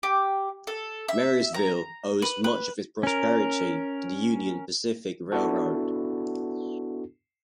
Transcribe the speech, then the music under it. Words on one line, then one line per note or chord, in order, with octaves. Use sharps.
Marysville owes much of its prosperity to the Union Pacific Railroad.
G4
A4
E5
A#5
B4
B4
C#4 A#4
B3 D4 E4 F#4 A4